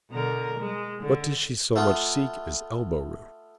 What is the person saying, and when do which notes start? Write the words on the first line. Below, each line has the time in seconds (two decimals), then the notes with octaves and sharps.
What does she so much seek as elbowroom?
0.10 B2 D3 A#4
0.59 G#3
1.03 D3
1.76 A3 B3 F4